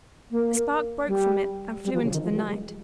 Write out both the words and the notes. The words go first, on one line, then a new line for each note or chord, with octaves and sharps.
A spark broke from it and flew into the night.
A#3
G3
G3
F3
C#3
D#3
F3
G3
G#3